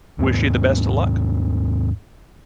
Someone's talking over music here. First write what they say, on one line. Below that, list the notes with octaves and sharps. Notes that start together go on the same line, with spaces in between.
wish you the best of luck.
D#2 G#2 B3